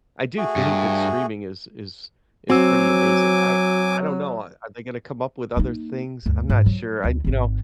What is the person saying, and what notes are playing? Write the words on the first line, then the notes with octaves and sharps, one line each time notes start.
I do think that streaming is is is pretty amazing, I I don't know, a are they gonna come up with other things? I'm not sure, I you know
A3 F#4 G#4
G2
F#3 C4 F#4 G#5 D6 E6
A#3 D#4
D2 G2
G#2
F3 F#3
D2
G#1 D#3